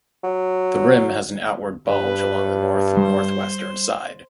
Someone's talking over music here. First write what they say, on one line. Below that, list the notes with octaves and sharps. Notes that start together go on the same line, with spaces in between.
The rim has an outward bulge along the north-northwestern side.
F#3
G2 B4
G3 C5